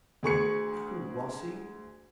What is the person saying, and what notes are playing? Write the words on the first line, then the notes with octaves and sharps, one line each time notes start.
"Who was he?"
D2 G#4 C#6 C#7